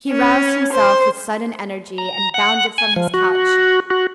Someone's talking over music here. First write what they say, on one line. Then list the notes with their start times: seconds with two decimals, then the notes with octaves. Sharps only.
He roused himself with sudden energy and bounded from his couch.
0.11 C#4
0.73 C5
1.98 A#5
2.34 F#5
2.78 G#5
2.96 F3
3.14 F#4
3.90 F#4